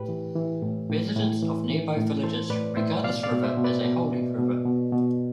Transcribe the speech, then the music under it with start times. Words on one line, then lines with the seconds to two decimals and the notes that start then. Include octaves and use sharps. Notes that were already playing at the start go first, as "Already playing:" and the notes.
Residents of nearby villages regard this river as a holy river.
Already playing: A2 G4 B4
0.09 E3
0.36 E3
0.62 A2
0.89 A2
1.16 A2
1.43 E3
1.70 E3
1.97 A2
2.23 E3 A4 C5
2.50 A2 B4 D5
2.77 A2 C5 E5
3.04 B2 D5 F5
3.23 D5 F5
3.31 B2
3.44 C5 E5
3.58 B2
3.64 B4 D5
3.84 B2
4.12 B2
4.39 B2
4.66 B2
4.92 B2